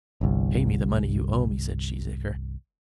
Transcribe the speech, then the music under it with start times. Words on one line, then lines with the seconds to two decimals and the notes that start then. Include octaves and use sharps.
"Pay me the money you owe me," said Cheesacre.
0.21 G1 C2